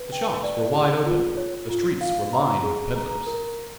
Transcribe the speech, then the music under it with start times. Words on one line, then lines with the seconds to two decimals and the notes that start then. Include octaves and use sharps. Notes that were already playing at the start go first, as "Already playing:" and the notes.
The shops were wide open; the streets were lined with pedlars.
Already playing: B4
0.12 G5
0.44 D5
0.74 G#4
1.06 F4
1.37 C#5
1.69 F4
2.01 F5
2.33 A#5
2.64 G#4
2.96 A#5
3.27 A#4